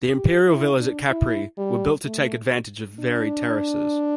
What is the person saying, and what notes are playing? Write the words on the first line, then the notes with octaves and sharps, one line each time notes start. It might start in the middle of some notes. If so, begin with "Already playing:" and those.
The imperial villas at Capri were built to take advantage of varied terraces.
G4
E4
D4
E4
G3
A3
D4